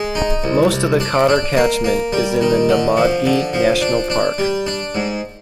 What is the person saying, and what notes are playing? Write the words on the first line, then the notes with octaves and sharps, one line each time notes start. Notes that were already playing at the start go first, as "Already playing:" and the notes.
Most of the Cotter catchment is in the Namadgi National Park.
Already playing: G#3
D#4
C2
C2
D4
D4
A#3
A#3
G3
D#3
D3
F3
D3
F3
D4
D4
G3
D4
G#2